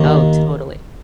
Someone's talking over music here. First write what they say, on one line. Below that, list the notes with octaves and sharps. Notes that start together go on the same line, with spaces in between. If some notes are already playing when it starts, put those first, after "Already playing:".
Oh, totally.
Already playing: D#2 D#3